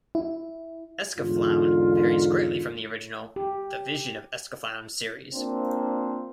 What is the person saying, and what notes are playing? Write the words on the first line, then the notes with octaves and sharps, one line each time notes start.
"Escaflowne" varies greatly from the original "The Vision of Escaflowne" series.
E4
E2 G#2 D3 F4
G4
A#3 C4 D4 F4 C5